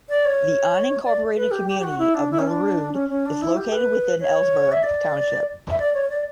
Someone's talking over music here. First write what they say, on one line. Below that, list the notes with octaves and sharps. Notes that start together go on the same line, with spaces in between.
The unincorporated community of Melrude is located within Ellsburg Township.
D5
C#5
D5
B4
G4
G4
G4
F#4
E4
D4
E4
C#4
D4
C#4
C#4
D4
E4
G4
B4
C#5
E5
D5
E5
D5
C#5
D5